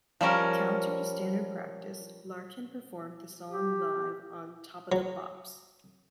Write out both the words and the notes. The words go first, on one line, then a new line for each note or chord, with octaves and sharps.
Counter to standard practice, Larkin performed the song live on "Top of the Pops".
F3 G3 C#4 A#4
G4
F#3